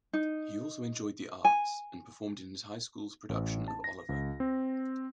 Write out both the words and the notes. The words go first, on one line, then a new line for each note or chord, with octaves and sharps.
He also enjoyed the arts, and performed in his high school's production of "Oliver!".
D#4
G#5
A1
A5
A#6
C#2
C4